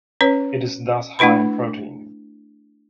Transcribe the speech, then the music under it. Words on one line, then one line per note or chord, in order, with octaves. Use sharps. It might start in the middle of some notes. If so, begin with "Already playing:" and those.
It is thus high in protein.
C#4 B4 C#5
A3 D4 E4 B4 B5